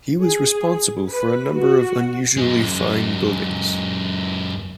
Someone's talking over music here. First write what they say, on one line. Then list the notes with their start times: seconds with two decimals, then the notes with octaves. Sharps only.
He was responsible for a number of unusually fine buildings.
0.22 G#4
1.09 B4
1.53 F#4
2.37 F#2 G#3